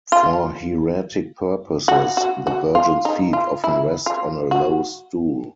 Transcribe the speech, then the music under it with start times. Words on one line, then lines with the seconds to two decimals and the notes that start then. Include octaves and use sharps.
For hieratic purposes, the Virgin's feet often rest on a low stool.
0.12 F4
1.88 F#4
2.17 F#4
2.47 F#4
2.75 F4
3.05 D#4
3.33 F4
3.64 E4
4.06 F4
4.51 F#4